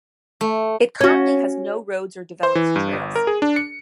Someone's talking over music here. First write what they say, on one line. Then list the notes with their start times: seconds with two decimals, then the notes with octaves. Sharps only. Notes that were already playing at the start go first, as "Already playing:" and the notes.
It currently has no roads or developed trails.
0.41 A3
1.01 C#4 F#4
2.43 C5
2.55 E3
2.76 G2
2.93 G1
3.16 A#4
3.27 G#4
3.42 D4
3.56 C#7